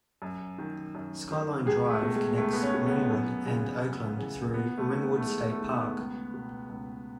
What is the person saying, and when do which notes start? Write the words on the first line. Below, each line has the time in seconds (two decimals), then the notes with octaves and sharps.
Skyline Drive connects Ringwood and Oakland through Ringwood State Park.
0.22 F#2
0.58 D#3
0.95 F#2
1.31 D#3
1.66 C#2 G#4
1.90 A3
2.02 B2
2.15 G#3
2.38 C#2 A3
2.53 B3
2.63 C#4
2.74 B2
2.86 B3
3.10 F#2
3.46 C#3 E3
3.82 F#2
4.18 C#3 E3
4.54 E2 B3
4.78 A3
4.90 D#3
5.02 B3
5.18 A3
5.26 E2 G#3
5.50 A3
5.62 D#3
5.74 B3
5.98 C#2
6.34 B2
6.69 C#2